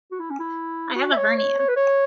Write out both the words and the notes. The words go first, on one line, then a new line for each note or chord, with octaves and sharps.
I have a hernia.
F#4
E4
C#4
E4
F#4
E5
C#5
C#5
C#5
B4
C#5